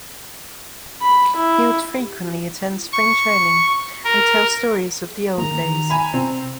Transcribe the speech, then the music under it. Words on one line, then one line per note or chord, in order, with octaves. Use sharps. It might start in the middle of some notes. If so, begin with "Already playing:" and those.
He would frequently attend Spring training and tell stories of the old days.
B5
E4
C#6
A#4
D#3 F3 A#3 A#5
D#3
G#5 B5
C3 C4